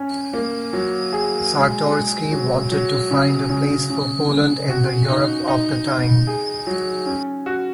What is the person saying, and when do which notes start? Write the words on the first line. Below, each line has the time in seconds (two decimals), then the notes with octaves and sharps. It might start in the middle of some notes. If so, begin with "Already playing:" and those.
Czartoryski wanted to find a place for Poland in the Europe of the time.
Already playing: C#4
0.33 A#3
0.73 F#3
1.13 G#4
1.52 G#3
1.92 G#3
2.31 F#3
2.72 F#3
3.11 C#3
3.50 C#3
3.90 C#3
4.29 C#3
4.69 F#4
5.08 D#4
5.48 D#4
5.87 D#4
6.27 G#4
6.67 F#3
7.06 C#4
7.46 F#4